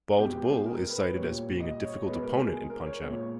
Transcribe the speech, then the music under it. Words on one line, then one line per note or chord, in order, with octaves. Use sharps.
Bald Bull is cited as being a difficult opponent in "Punch-Out!!".
B2 G#3 G4
G#4
A#4
B4
A#2 G3 C#5
D#5
C#5
B2 G#3 B4
A#4
G#4
A#4
C#5
A#2 G#3 C#5
C#5